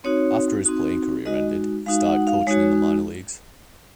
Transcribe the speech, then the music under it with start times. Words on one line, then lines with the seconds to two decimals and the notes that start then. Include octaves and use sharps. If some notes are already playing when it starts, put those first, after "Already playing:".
After his playing career ended, he started coaching in the minor leagues.
0.04 C4 D#4 F#4 C#5
0.65 C4 D#4 F#4
1.26 G#3 D#4 F#4 D#5
1.86 G#3 D#4 F#4 F5
2.06 F#5
2.27 F5
2.47 G#3 D#4 F#4 C#5